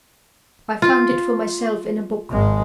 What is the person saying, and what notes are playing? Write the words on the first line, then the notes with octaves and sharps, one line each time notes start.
"I found it for myself in a book."
F4
G#1 G#3